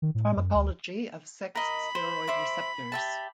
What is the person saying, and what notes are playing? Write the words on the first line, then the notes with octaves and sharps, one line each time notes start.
Pharmacology of sex steroid receptors.
D#3
A2
F#2
D2
A#4 D#5 B5
C5
C5 E5 D6
G4 E5 A5